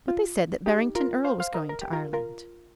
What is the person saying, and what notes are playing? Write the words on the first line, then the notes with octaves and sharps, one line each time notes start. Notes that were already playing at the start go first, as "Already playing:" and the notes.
"But they said that Barrington Erle was going to Ireland."
F4
D#4 G4
F4 A#4
C5 F5
C5 F5
A#4 D#5
A#4
G4
F4 A#4
F4 A#4